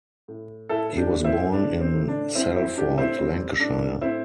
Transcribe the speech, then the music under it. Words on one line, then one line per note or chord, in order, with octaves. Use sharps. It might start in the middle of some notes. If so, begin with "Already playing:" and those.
He was born in Salford, Lancashire.
A2
A2 E4 A4
D4 G4
A2
C4 E4
A2 D4
C4
A2
D4
G3 C4 E4
C4 E4
A2 D4 G4
C4 E4
G3 C4
A2 D4
A2 C4 E4